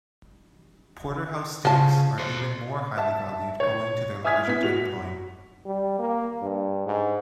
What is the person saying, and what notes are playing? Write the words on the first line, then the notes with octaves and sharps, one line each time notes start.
Porterhouse steaks are even more highly valued owing to their larger tenderloin.
C#3 F3 A5
A4 C5
E5 A5
C#5 G#6
E5 G#5 D#6 F6 G#6 B6
B3 E4 B6
F#4 F7
G3
A#3
G2
G#2